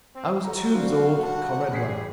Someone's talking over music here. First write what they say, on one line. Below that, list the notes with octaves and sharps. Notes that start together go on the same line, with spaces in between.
'I was too absorbed with Comrade Waller.
C4
G3 F#4 A4 A#5
F#3 C4 D4 F5
F#5 A5
A1 G3 G#4 B6 C7